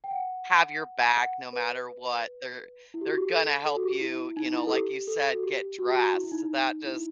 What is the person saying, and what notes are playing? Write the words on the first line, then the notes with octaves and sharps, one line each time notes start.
have your back no matter what, they're they're gonna help you, you know, like you said, get dressed, that just
G5
F#5
F#5
B4
E4
G4
F#4
G4
A4
A4
F#4
G4
E4
D#4
E4
A4
G4
A4
F#4
G4
F#4
G4
F#4
E4
E4
D#4
E4
D#4